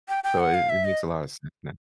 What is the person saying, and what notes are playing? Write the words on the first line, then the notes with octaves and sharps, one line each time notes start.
So, it it makes a lot of sense now.
G5
G5
F#5
F5
E5
D#5